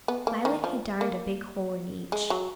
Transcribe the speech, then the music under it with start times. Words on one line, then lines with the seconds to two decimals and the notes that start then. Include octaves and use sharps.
Violet had darned a big hole in each.
0.08 B3
0.27 A#3
0.45 D#3
0.64 F3
1.01 A#3
2.12 G#3
2.30 F#3